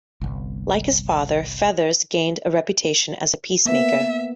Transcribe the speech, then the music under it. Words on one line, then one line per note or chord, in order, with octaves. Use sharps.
Like his father, Feathers gained a reputation as a peacemaker.
G1 C2
A#3 B3 E5